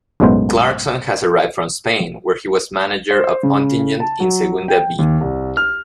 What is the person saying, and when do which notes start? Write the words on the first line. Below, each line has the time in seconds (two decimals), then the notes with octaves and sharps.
Clarkson has arrived from Spain where he was manager of Ontinyent in Segunda B.
0.20 B1 F#2 A2 G#3 B3 C5
3.11 C5
3.43 C#3
4.00 A5
4.20 F#3
4.68 G5
4.99 D#2
5.21 C2
5.57 F6